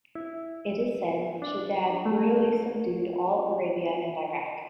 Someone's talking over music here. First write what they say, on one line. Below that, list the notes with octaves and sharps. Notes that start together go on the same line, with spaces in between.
It is said Shaddad brutally subdued all Arabia and Iraq.
E4
D4
A3